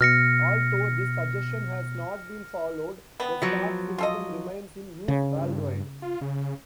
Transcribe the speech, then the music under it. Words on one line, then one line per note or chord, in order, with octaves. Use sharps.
Although this suggestion has not been followed, the Stock system remains in use worldwide.
B2 F6 A#6 C#7
G3 B3
F3 F#3
F4 A4 D#5
C#3
G2
F4
C#3